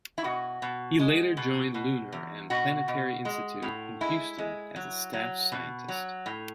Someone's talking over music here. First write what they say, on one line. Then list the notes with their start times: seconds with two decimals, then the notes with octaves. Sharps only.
He later joined Lunar and Planetary Institute in Houston as a staff scientist.
0.18 E4
0.24 B2 F#4
0.62 B2
0.99 G#3
1.37 B2
1.74 B2
2.12 E2
2.50 B2 F#4
2.88 B2
3.25 G#3
3.63 A2
4.01 G#3 E4
4.38 G#3
4.76 F#3
5.13 F#3
5.52 B2
5.88 F#3
6.26 A2